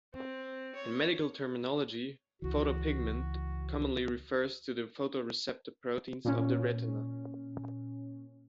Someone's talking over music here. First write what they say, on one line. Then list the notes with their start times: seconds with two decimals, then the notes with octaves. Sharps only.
In medical terminology, "photopigment" commonly refers to the photoreceptor proteins of the retina.
0.14 C4
0.75 C#5
2.42 C#2 E3 F#4
6.25 A#2 C#4